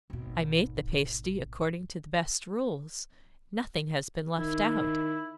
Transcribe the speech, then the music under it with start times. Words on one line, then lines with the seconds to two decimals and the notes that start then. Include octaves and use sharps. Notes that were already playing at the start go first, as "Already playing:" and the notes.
I made the pasty according to the best rules; nothing has been left out.
0.10 G#1 B2
4.38 D#3 E4